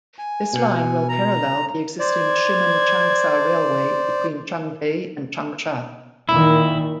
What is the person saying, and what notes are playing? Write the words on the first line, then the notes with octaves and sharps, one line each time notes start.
This line will parallel the existing Shimen–Changsha railway between Changde and Changsha.
G#5
B2
A#5
C5 D5 G#6
A#2 D#3 E4